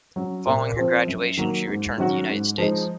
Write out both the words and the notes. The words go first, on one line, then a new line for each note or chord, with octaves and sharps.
Following her graduation, she returned to the United States.
F#3 C#4
A#2
F3 C4 F4
F#2
D#3 F#3 A#3
G#2
D#3 F#3 C#4 F#4
G#2
F3 G#3 D#4